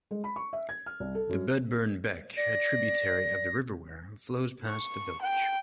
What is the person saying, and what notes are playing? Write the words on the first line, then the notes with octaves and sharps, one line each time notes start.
The Bedburn Beck a tributary of the River Wear, flows past the village.
G#3
B5
C#6
E5
G#6
F6
C2
A4
F#2
D5 A#6
C#6
G5